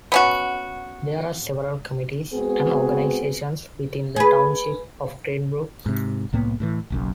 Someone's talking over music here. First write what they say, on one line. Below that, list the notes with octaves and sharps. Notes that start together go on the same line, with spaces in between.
There are several committees and organizations within the township of Green Brook.
B3 C#4 F#4
G#3 B3 C4 F#4 G#4 B4
G#4 B4
G#2 C3
C2 A2 A#3 B3
A2 C3 E3
F#1 B1 F#2